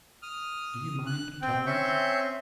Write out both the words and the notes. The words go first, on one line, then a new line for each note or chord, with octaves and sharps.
Do you mind telling?
D#6 F6
F#6
C4 G5
C4 C#4 E5 C6 C#6 G6